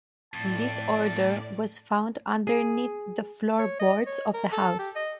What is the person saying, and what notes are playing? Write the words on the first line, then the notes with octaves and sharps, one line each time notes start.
This order was found underneath the floorboards of the house.
F2 A2 D5 A5
G#4
C#5
D#5
C#5
A#4
A4
G4
D#5